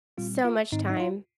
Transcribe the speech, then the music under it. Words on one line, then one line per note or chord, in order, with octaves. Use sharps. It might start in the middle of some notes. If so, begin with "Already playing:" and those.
So much time.
A#2 G3 C4 F4
F4
G#2 D#3 G#3 C4 D#4
D#4
F4